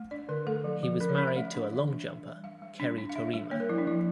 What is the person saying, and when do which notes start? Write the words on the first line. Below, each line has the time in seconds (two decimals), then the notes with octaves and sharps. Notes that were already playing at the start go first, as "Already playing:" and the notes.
He was married to long jumper Kerrie Taurima.
Already playing: A3
0.11 D4 D5
0.29 D3 A#4
0.47 A3 A4
0.64 F3
0.83 F3
1.00 C#4 A#4
1.09 C#5
1.18 C#4 D5
1.27 E5
1.36 A3
1.54 D4
1.72 E3
1.90 D4
2.08 G3
2.26 G3
2.44 G3 F5
2.62 G3
2.80 D4
2.98 D4
3.09 F5
3.15 D4 E5
3.34 G3
3.51 A#3 C#5
3.60 A#4
3.69 F3 E4
3.78 D4
3.87 F3 E4